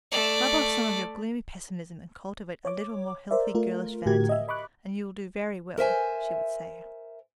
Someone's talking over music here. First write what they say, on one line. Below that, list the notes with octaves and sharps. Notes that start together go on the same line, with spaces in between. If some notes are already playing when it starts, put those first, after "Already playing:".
"Rub off some of your gloomy pessimism and cultivate a little more healthy girlish vanity, and you will do very well," she would say.
A3 D5
C#5 D6
A#4 C5 D5 E5
A3 F4 A#4
A2 D3 F#4 G4 A#4 G#6
D#5 E5
D#5 B5 C#6 D6 F#6
A#4 C5 E5 G#5